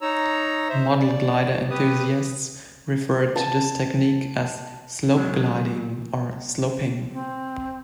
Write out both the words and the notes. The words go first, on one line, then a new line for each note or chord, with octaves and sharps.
Model glider enthusiasts refer to this technique as "slope gliding" or "sloping".
D#4 C#5 A#5 E6
C5 E5
D5
G4 B4 D#6
A5
B2 D#3 F#3 G#3
C4